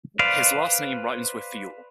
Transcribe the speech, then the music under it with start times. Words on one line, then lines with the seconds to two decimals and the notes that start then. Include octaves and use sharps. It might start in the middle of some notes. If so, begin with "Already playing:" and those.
His last name rhymes with "fuel".
0.19 B4 C5 D5 F5